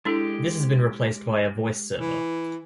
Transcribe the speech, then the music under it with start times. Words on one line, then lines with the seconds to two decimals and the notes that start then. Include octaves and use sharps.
This has been replaced by a voice server.
0.05 G#3 D4 E4 G4 A4
2.00 E3